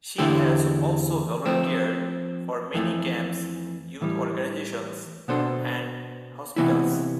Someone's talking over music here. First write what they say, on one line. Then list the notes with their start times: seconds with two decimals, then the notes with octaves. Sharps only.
She has also volunteered for many camps, youth organizations, and hospitals.
0.18 E2 D3 A3 E4 G4
1.46 F3 A3 C4
2.74 F2 E3 A3
4.01 A2 E3 G3
5.28 B2 B3 D4 A4 C5
6.56 C3 E3 B3 E4